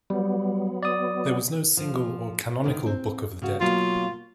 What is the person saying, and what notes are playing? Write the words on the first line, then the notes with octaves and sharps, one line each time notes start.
There was no single or canonical "Book of the Dead".
F#3 G3 B3
D5 D#6
F3
D3 D#3
C4
C#3 F#4
B2 F#3 A#3 F4